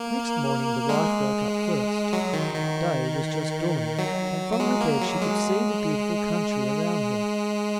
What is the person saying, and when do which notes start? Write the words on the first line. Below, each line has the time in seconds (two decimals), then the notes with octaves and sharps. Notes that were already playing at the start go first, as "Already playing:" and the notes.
Next morning the wife woke up first; day was just dawning, and from her bed she could see the beautiful country around her.
Already playing: A#3
0.89 G#3
2.13 F#3
2.33 D#3
2.54 D#3
3.98 F#3
4.53 F#3
4.60 G#3
4.81 A#3
5.01 F#3
5.21 G#3